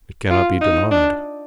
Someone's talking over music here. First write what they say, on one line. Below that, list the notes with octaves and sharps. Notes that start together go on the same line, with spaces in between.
'It cannot be denied.'
F4
D#4
D4